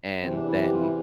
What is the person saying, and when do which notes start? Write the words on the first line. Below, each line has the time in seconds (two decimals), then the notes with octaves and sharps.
and then
0.20 E2 C3 E3 C4
0.35 D4
0.47 E4
0.61 G4
0.73 F4
0.81 E4